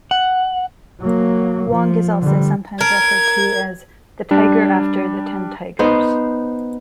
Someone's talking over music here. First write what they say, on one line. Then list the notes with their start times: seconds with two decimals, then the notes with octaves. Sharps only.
Wong is also sometimes referred to as the "Tiger after the Ten Tigers".
0.11 F#5
1.01 F#3 A#3
1.70 F3
2.22 D3 G3
2.81 A#4 G#6
4.31 G3 D4
5.79 B3 D#4 C5